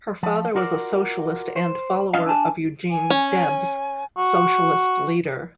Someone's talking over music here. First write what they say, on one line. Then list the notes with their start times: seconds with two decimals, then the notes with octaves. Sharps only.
Her father was a socialist and follower of Eugene Debs, socialist leader.
0.23 F3
0.55 F4 F#4 A#4 D5
1.56 C5
2.13 F3 F#3 C#4 D4 D#5 F5
2.26 D4 G#5 A5
2.90 G#5
3.10 C#4
4.18 F#4